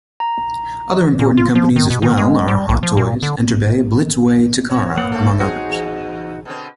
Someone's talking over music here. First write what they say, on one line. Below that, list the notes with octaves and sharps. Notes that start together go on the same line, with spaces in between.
Other important companies as well are Hot Toys, Enterbay, Blitzway, Takara among others.
A#5
A#2
F4
F3
D#3
B2
D#3
G#3
G3
B1
F3
A#2
D3
F#4 C#5
A#3 B3 F#5
A3 C4 A4
C4 D#4 F#4 G#4 C5
E2
B2 D3 C4